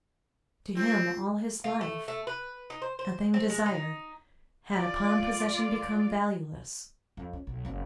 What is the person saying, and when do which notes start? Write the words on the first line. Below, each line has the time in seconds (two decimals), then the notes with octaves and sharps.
To him, all his life, a thing desired had upon possession become valueless.
0.77 C4 F4
1.64 F4
1.81 A3
2.08 A3
2.27 B4
2.70 D#4
2.82 C5
2.99 C5
3.34 C4
3.50 G#3
3.66 D#4
4.76 F4 D5
7.17 F2
7.33 C#4
7.47 B1
7.65 F#1 C4